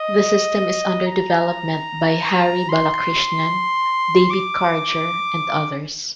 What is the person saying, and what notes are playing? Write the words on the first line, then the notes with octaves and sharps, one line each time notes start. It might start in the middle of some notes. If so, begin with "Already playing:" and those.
The system is under development by Hari Balakrishnan, David Karger and others.
Already playing: D#5
A#5
C6
D6